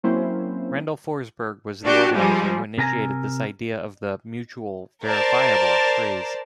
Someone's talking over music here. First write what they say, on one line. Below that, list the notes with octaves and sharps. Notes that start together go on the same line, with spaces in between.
Randall Forsberg was the organizer who initiated this idea of the "mutual, verifiable" Freeze.
F#3 A#3 C4 C#4 E4 C5
D4 F#4 G4
F3 G3 G#3
C3 A#4 G#5 A#5
A#4 C5 D5 A5